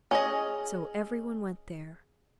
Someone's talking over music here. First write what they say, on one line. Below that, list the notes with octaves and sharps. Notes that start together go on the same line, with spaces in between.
So every one went there.
C#4 G#4 D#5